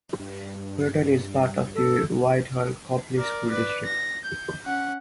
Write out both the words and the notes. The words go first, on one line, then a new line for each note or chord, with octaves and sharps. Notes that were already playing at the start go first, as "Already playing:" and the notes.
Fullerton is part of the Whitehall-Coplay School District.
G2
A4
A#4 D5
B4 D5
A#6
G6
C#4 F#5